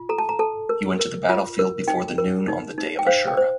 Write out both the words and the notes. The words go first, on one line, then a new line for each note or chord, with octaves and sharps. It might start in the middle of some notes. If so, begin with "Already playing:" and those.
He went to the battlefield before the noon on the Day of Ashura.
Already playing: F4
A4 A#5
A5
A#5
A4 A5
A#4
A#4
F4
A#4
D#4 G5
A#4
D#4
D#4
G5
C5 F5
G5
C5